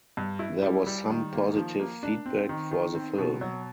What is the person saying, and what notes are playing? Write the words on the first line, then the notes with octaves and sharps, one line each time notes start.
There was some positive feedback for the film.
G2
E4
G3
G3
D#3
A#3
F3
A#3
D4
C4
D#3
D#3
C4
B2
F#3